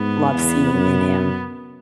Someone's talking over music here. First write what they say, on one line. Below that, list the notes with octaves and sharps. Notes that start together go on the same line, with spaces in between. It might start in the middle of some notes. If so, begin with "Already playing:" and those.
love seeing in him.
Already playing: G#2 B3
E2
F#2